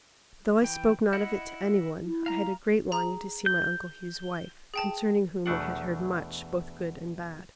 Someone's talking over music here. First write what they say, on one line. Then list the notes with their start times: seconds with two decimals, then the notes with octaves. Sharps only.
Though I spoke not of it to anyone, I had a great longing to see my Uncle Hugh's wife, concerning whom I had heard much, both good and bad.
0.62 E3 G5
1.13 E4 D#5 F#5
2.05 E4
2.26 F5 A#5
2.92 G#4 A#5
3.46 G6
4.74 G#4 G5 A5
5.46 E2 B2 A3 D4 F#5